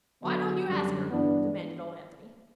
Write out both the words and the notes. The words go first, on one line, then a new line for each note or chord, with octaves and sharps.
"Why don't you ask her?" demanded old Anthony.
D3 F#3 B3 F#4
F#2 D3 G3
G2 E3 B3 D4